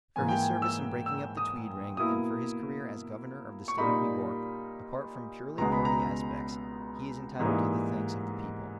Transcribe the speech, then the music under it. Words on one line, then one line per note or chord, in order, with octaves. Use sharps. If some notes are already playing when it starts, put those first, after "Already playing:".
For his service in breaking up the Tweed ring, and for his career as Governor of the State of New York, apart from purely party aspects, he is entitled to the thanks of the people.
G#2 E3 A#3 G#5
G5
G#5
E6
E6
D#6
B2 A#3 E4 D#6
C#6
A#2 G3 A#3 D#4 B5
C#2 B2 G#3 B3 A#5
B5
A#5
G#2 E3 G3 A#3 D#4